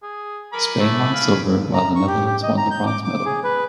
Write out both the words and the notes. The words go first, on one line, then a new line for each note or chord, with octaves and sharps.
Spain won silver, while the Netherlands won the bronze medal.
G#4
A#4 G#5 B5 D6
A3
F5
A#5
C#6
G4
G4
D#5
A#5
G6
D6
D6
G#4
B4